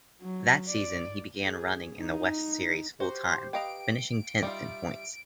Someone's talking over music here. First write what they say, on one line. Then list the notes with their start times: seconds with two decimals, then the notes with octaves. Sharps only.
That season, he began running in the West Series full-time, finishing tenth in points.
0.21 F#3
0.68 D5
1.43 G#4
1.97 D#4
3.00 F#4 G4 C5
3.53 B4 D#5 F5 G5 A#5 D7
4.43 G3 D#4 F4 E5